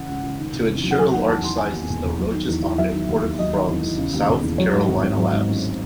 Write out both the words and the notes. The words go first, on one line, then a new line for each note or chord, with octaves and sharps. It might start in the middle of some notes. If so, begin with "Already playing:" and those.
To insure large sizes the roaches are imported from South Carolina labs.
Already playing: C#3 E3 F#5
C#2
C#2
D#3
C3
E2
F#3
F#5
F#3 G#5
D#3 F#5
E2 A5
E2 C6
D#3 G#5
D#2
E1
E1
F#3
D#3
E2
E2
F#3 E5
D#3
D#2
D#2
F#3 D#5
D#3
E2
E2
C#3
D#2
E1
E3
F#3 C#5
G#2
G#1
G#1
F#3
G#2
A1